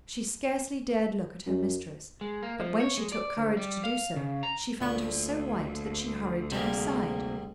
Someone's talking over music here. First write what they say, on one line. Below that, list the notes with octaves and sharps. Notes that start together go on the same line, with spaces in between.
She scarcely dared look at her mistress, but when she took courage to do so, she found her so white that she hurried to her side.
F#2
G#3
A#3
F3
C#5
G#3
D5
D2
G3
F5
C#3
A#5
D2 A#2 C#6
G#2 C3 G3 G#3 A#3